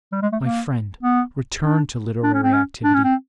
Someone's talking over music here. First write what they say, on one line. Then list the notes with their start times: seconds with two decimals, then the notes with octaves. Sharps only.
My friend, return to literary activity!
0.12 G3
0.22 G#3
0.32 A3
0.43 A#3
1.03 B3
1.63 D4
2.23 D4
2.34 C#4
2.43 C4
2.53 C#4
2.84 D4
2.94 C#4
3.04 C4